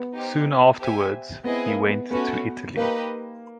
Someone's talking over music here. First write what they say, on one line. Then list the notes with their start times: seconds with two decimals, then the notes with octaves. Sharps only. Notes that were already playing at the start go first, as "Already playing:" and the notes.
Soon afterwards he went to Italy.
Already playing: B3
0.13 D#4 G4 C5
0.79 G4 C5 E5 G#5
1.44 B3 C4 E4 G#4 B4 D#5
1.67 A#3
1.89 B3
2.11 A3 B3 C#4 F#4 B4
2.76 A#3 D#4 G4 B4 D#5